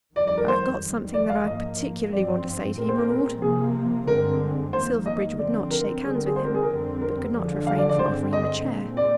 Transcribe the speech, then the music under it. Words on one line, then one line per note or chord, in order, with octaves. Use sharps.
"I've got something that I particularly want to say to you, my Lord." Silverbridge would not shake hands with him, but could not refrain from offering him a chair.
F2 D#3 G3 D5
D5
A#4
C5
F2 D#3 G3
D5
F5
G#2 F3 A#3 D#5
G2 F3 C4 D5
A#2 G#3 C4 A#4
C5
A#4
A#4
C3 F3 A#3 G#4
G2 D3 G#3 C4 A#4
F2 D#3 A#3 C5
D#5
D3 F3 C4 D5
A#4
D3 G3 C4 G#4
A#4
G#4
C5
A#4
G#4
A#4
F2 D3 G3 C4
A#4
D3 F3 G#3
F5
D5
D5
G2 D3 G#3 C4 C5
D#5
A#2 G#3 C4
D5